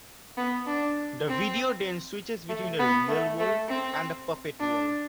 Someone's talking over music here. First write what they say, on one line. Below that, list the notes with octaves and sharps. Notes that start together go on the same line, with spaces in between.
The video then switches between the "real world" and the "puppet world".
B3
D4
C4
A3
B3
A3
A3
C4
D4